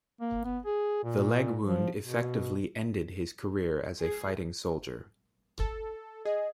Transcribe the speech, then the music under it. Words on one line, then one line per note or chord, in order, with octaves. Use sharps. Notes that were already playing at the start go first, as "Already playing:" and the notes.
The leg wound effectively ended his career as a fighting soldier.
A#3
B3
G#4
A#2
F3
B2
G#4
A4
G#4 D#5